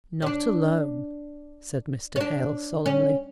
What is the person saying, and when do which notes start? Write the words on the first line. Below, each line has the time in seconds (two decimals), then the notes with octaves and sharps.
'Not alone,' said Mr. Hale, solemnly.
0.22 C#4
0.26 D4
2.16 C#4
2.21 D4
2.86 C#4